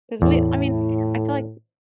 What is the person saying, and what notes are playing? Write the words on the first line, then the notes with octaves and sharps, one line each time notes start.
'Cause we I mean I feel, like,
E2 A2